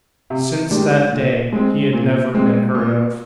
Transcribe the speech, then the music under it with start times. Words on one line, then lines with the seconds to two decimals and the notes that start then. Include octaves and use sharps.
Since that day he had never been heard of.
0.30 C3
0.71 D#3 G#3 D4 G4
1.12 A#2
1.52 G#3 C4
1.93 A#2
2.34 G#3 C4
2.75 A#2